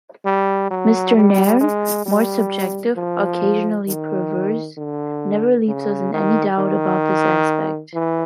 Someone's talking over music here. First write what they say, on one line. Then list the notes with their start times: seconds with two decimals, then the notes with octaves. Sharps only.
Mr Nairn, more subjective, occasionally perverse...never leaves us in any doubt about this aspect.
0.25 G3
0.71 F#3
1.16 G3
1.61 G#3
2.06 G3
2.96 F3
3.87 D#3
4.77 D3
5.68 C#3
6.13 D#3
6.58 D#3
7.94 E3